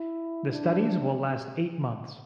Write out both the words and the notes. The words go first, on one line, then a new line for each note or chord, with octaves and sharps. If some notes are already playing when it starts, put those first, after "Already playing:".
The studies will last eight months.
Already playing: E4
D4